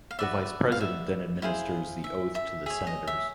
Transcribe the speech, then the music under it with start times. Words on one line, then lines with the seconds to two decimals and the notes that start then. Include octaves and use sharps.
The Vice President then administers the oath to the Senators.
0.11 F5
0.19 F#4 B4 D5 E5
0.72 F5
0.80 E5
1.42 E4 G#4 C5 F5
2.04 E5
2.35 E5
2.66 G#4 C#5 E5
2.87 D#5
3.07 E5